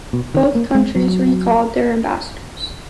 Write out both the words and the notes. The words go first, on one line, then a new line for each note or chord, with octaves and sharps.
Both countries recalled their ambassadors.
B2
D#3
A#3
G#3
F#3